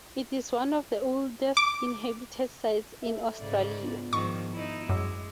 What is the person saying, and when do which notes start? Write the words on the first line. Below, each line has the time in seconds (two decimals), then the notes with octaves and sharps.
It is one of the oldest inhabited sites in Australia.
1.57 D6
3.03 A4 E5
3.40 G#2 C#3 D5
3.83 B3 D4 F4
4.13 G#2 D#3 F3 C#6
4.52 D#4 E4
4.89 F#2 G#3 D6 E6